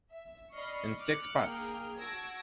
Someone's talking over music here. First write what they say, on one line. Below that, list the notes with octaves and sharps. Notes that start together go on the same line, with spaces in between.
In Six Parts.
E5
D5 D#5 B5 C#6 F6 C7
D6 F6 F#6 C#7
A#3 G#4 G5 F6
F#4 A5 E6 G#6 A#6 D7